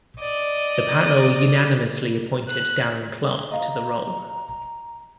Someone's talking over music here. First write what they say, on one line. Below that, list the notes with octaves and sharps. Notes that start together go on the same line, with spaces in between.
The panel unanimously appointed Darren Clarke to the role.
D5 D#5
F#6
D#5 F5 A#5